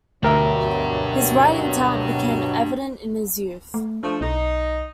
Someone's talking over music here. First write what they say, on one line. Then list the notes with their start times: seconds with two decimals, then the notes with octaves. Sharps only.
His writing talent became evident in his youth.
0.23 D2 B2 F#3 D4 G4 A#4 E5
3.74 A3
4.03 F3 A3 D4
4.21 B1 D#4